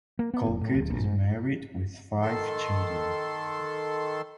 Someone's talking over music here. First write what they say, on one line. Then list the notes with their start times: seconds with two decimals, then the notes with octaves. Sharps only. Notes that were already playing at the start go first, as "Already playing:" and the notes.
Colquitt is married with five children.
0.19 A#3
0.34 B3
0.46 F1
0.61 A2
0.74 D1
0.90 A#1
1.04 G#2
2.21 D#3 A4 C6